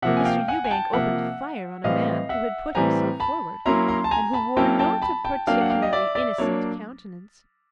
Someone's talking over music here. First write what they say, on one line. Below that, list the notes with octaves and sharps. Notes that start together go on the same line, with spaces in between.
Mr. Ewbank opened fire on a man who had put himself forward and who wore not a particularly innocent countenance.
C3 F3 A#3 E5 F#5
G#5
F5 G5
F#5 G#5
G#5
G5 A5
C3 F3 A#3 E5 F#5
A2 E3 G3 C4 D#5 F5
E5 F#5
A2 E3 G3 C4 G#5 A#5
A5 B5
F#3 A#3 C#4 E4 A#5 C6
A#5 C6
A5
G#5 A#5
A5 B5
F#3 A#3 C#4 E4 G5 A5
G5 A5
A5 B5
G5 A5
F#3 A#3 D4 F5 G5
F#5
F5 G5
D#5
D5 E5
D5 E5
F#3 A#3 D4 C#5